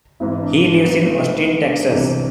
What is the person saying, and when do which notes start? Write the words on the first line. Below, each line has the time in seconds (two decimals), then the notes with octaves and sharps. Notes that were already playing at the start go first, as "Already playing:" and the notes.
He lives in Austin, Texas.
0.20 G#1 G#2 E3 E4
0.42 D4
0.64 D4
0.84 B3
1.06 A3
1.34 B3
1.63 D4
1.91 C2 C3 E3 D4